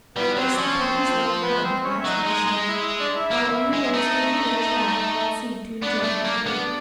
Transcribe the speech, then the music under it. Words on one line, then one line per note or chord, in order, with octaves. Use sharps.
At this the Pinkies looked downcast and ashamed, while only Rosalie the Witch laughed and seemed to enjoy the rebuke.
G3 B3 B4
F#3 C4 C5
D5
F3 C#4 C#5
C#5
C4 C5
B3 B4
C4 C5
C#4 C#5
E5
F#3 D#4 D#5
G#3
G#3
E4 E5
E5
D#5
D4 D5
E4 E5
A#3
G#3
E5
A3 D#4 D#5
B3 D4 D5
A3
A#3
B3 D4 D5